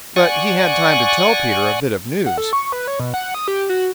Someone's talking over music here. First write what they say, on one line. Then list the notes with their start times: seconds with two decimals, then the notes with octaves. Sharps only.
But he had time to tell Peter a bit of news.
0.16 D5 F#5 G#5 C#6
2.26 F#5
2.38 A4
2.53 C#6
2.72 B4
2.88 C#5
3.00 B2
3.14 F#5
3.34 D#6
3.48 G4
3.69 F#4